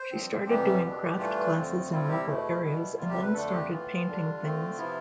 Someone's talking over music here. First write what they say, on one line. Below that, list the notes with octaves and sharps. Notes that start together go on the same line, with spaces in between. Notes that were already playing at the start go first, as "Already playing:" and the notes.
She started doing craft classes in local areas and then started painting things.
Already playing: C5
G2 F3 C4
F2 C3 E3 G3 B3 G4
E2 B2 B3 D4
G2 E3 A3 D4 F4
F2 D3 F3 A3 C4
C3 G3 C4 E4 F4
G4
E2 B2 A3 E4
B2 G3 B3 E4
D2 C3 G3 F4
G4
B4
F2 D3 A3 D4 A4
G4
A2 E3 B3 F4
D3 G3 D4
D3 A3 C4
C3 F3 B3 E4